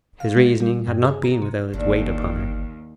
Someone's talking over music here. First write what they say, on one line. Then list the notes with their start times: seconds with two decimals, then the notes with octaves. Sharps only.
His reasoning had not been without its weight upon her.
0.20 F5
0.37 G#3
0.60 G3
0.87 G2
1.05 G#4
1.23 A#5
1.42 C3
1.74 G1 D#2 D4